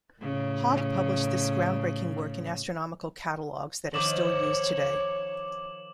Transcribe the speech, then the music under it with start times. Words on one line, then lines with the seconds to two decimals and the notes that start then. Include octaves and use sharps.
Hogg published this groundbreaking work in astronomical catalogues that are still used today.
0.22 A2 C#3
3.94 D#3 F3 C#5 D6 E7 F#7